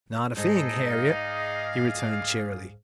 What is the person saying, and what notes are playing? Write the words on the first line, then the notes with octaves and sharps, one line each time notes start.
"Not a thing, Harriet," he returned cheerily.
G#2 D#4 G#4 A4 D#5
G#4 D5 F5